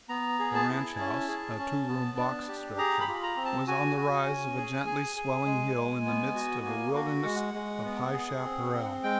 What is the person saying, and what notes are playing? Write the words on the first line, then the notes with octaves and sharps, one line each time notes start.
The ranch house--a two-room box structure--was on the rise of a gently swelling hill in the midst of a wilderness of high chaparral.
B3 A#5
G#4
A5
E4
C#4
G#4
C#4
B3
D4
G4
G#4 A#5
B5
F4
A#5
C4
A5
F#4 G#5
F#4
C#4
G#4
G#4
G#4
G#3
G#3
B3
F#4
A#3
F#4
G#3 F#5
G#3
B3
G#4
C4
C4
G#3 G5